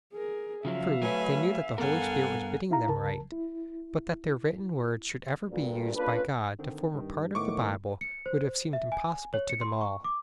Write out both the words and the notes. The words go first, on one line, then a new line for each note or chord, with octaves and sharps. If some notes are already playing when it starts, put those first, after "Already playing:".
True, they knew that the Holy Spirit was bidding them write, but that their written words should ever be used by God to form a part of the Bible would have seemed impossible to them all.
G#4 A#4
C#3 F3 F#3 E5 F5
F#3 A3 B4 C#5 G#5
G2 B3 A4 A#4 F5 F#5 G#5
D#4 E4 F5 A#5
C#2 C#3 A#4 A5
E4
D2 G2 A#2
A#3 C#4 D4 F4 A4 B4
D3 D#3 C4
G2 D#3
A2 D#3 A3 B3 C#6 D6
C#7
C5
E5
G#5
C#5
C#7
C6
C#6
D6